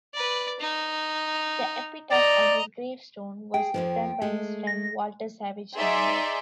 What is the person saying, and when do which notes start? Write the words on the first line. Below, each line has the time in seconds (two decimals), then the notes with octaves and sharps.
The epitaph on his grave stone was written by his friend Walter Savage Landor.
0.15 B4 D5
0.60 D#4
2.11 D5 D#5 A#5
3.54 G#4 G5
3.74 F2 G#2 F3
4.22 G#3 A3
4.67 A#6
5.76 D#4 G#4 D5 E5 C6